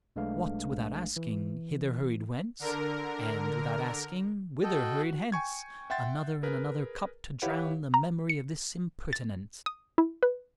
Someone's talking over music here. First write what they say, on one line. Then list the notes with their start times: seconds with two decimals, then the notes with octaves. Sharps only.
What, without asking, hither hurried whence? And, without asking, whither hurried hence! Another and another Cup to drown The Memory of this Impertinence!
0.16 B1 G#3 A3 D4 B4 F5
1.16 E3
2.59 D3 A#4
4.64 F#4 A4 D#5 G5
5.32 G5 G#5 C#6 G#6
5.90 E5 F#5 G5 C6 A6
6.43 G#4 A#4 B4
7.42 E4 G4 B4 C#5 F5 F#5
7.94 A#5
8.29 C#7
9.13 A6
9.66 D#6
9.98 E4
10.23 B4